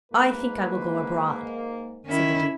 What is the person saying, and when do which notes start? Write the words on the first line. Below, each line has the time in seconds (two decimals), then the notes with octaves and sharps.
"I think I will go abroad," said the Duke.
0.12 G#2 A#3 B4
2.06 D#3 C#4 E4